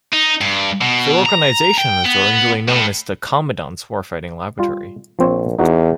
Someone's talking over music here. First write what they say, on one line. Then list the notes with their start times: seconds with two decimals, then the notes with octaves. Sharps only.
The organization was originally known as the Commandant's Warfighting Laboratory.
0.13 D#4
0.41 G2
0.81 B2
1.26 A#5
1.78 G5
2.06 B3
2.69 A2
4.59 G3 F4
5.19 A#1 F3 C4 C#5
5.59 E2 D#4 F#4